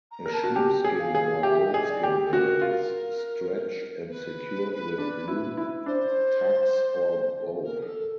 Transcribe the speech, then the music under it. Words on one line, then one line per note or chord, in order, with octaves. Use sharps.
A sheepskin or goatskin head is stretched and secured with glue, tacks or both.
A#5
A#4
A5
F#4
G4
G#4
F5
G#4
G4 E5
D#5
G#4
D5
G4
A4
F#4 A#4
F4
B4
D4
E4
E4
D4 C5
A#4
G#4
A4